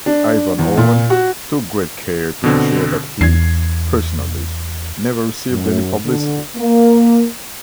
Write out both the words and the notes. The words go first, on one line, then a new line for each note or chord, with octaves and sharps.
Ivan Owen took great care to ensure that he, personally, never received any publicity.
D4
E2
A#2
F#4
B2 D3 C4
E2 G#6 C7
F#2
D3
A#3